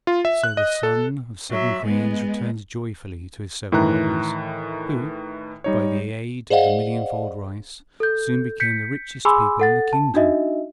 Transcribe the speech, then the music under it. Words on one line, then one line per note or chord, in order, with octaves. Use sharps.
So the son of seven Queens returned joyfully to his seven mothers, who, by the aid of the millionfold rice, soon became the richest people in the kingdom.
F4
E5
F#6
D#5
A4
F#3 E5
G#3 B3
A2 D#3 E3 A#5 F#6
G3 D#4 C#5
G#4 C5 D5 D#5 F5 F#5
A4 G6
G6 B6 C#7
G#4 G#5 B5 C6 D6 E6
A4 F#5 A6
A5
D4 D#4 F#4 D#5 E5